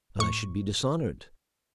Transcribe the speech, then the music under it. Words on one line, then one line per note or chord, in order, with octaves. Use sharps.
"But I should be dishonoured."
A2 C#6